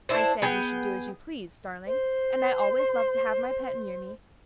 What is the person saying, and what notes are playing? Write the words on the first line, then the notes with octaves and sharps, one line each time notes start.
"I said you should do as you pleased, darling, and I always love to have my pet near me."
D4 E4 C5
B3 G#4 G5
C5 C6